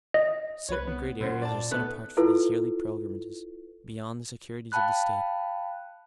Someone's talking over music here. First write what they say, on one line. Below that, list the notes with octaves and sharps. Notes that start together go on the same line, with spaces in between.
Certain great areas are set apart for these yearly pilgrimages beyond the securities of the State.
D#5
C2 B4 C#5
B3
F#2 A#2 C5
D5 A5
A3 B3 F#6
E4 F4 A4 B4
F5 G5 A5 B5 F#6